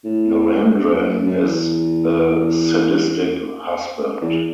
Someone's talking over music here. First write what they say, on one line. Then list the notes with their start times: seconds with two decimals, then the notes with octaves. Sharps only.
Narendran is a sadistic husband.
0.04 A2
0.74 G2
0.90 F#2
1.08 F#2
1.26 F#2
1.43 E2
4.22 E2